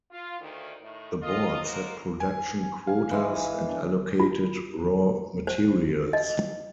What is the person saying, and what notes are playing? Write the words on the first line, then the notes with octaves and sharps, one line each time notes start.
The board set production quotas and allocated raw materials.
F4
D2 D#3
A2 D#3
F4 D#5
F3 G#3 A#3 D#4 F#4 A#4
G#5
F5 G#5
E3 G#3
D4
F4
C5
D#5